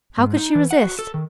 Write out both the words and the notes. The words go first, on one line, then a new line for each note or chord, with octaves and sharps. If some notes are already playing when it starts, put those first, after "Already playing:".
How could she resist.
G#2
D#4
E3
F#5
F#4
A4
D#3